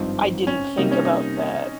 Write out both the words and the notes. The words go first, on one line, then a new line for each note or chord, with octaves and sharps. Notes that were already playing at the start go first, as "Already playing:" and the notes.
I didn't think about that.
Already playing: G#1 G2 F3 C4 D#4
C#4
C3 G3 A#3 D#4
C#4
D#4